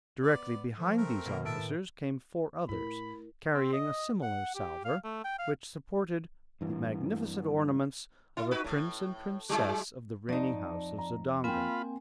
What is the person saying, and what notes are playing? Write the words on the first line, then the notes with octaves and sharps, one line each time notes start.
Directly behind these officers came four others carrying a similar salver which supported the magnificent ornaments of a prince and princess of the reigning house of Zodanga.
B3 D5
F3 A3
A3 C4 A#4
B2 D#3 A#3
A2 E5 A5 E6 D7
A2 E4 A#4 B5
C4
D#5
F#5
G4
F5
A3
G5
F5
G2 E3
E4
D#4 F#4 B4
A2
F#3 G#3 E4
F2 D#4 D5 A5
A#5
A#3 C4 F4 G5 G#5 B5